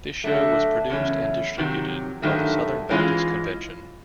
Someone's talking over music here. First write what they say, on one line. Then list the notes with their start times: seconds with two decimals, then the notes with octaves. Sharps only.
This show was produced and distributed by the Southern Baptist Convention.
0.24 D3 F#3 A3
0.89 E2 C#3 F#3 A3 C#4
1.57 F2 C3 D#3 F#3
2.22 G2 D#3 F#3 A3
2.89 G#2 E3 G#3 C#4 F4